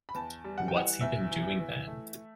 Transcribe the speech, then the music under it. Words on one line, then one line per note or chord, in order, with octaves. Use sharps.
What's he been doing, then?
B5
E2 A5
G3
F#5
G5
E3 F#5
E2 E5
E3
E3
A3